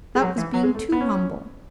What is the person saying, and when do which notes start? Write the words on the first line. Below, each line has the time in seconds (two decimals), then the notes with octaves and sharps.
That was being too humble.
0.15 G#3
0.22 F#3
0.38 E3
0.54 F#3
0.63 G#3
0.75 A3
0.92 B3
1.01 C#4